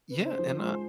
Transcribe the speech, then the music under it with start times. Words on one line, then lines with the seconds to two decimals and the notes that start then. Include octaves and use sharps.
Yeah, and, uh
0.09 B4
0.17 C#3 C5
0.39 F3
0.59 G#3